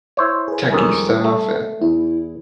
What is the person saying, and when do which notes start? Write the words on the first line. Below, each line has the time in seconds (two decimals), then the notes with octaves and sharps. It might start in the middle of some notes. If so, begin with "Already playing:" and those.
techy stuff and
0.17 E4 C5 C#5
0.48 G#4 B4
0.70 F2 D#3 G3 G#3 C#4
1.24 A3
1.82 E2 E4